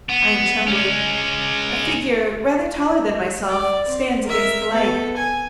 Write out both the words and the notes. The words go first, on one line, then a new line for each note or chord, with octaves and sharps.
I am trembling. A figure rather taller than myself stands against the light.
B3
G#3 C#4
D5
C4
A#4 E5
B3 A4
G#5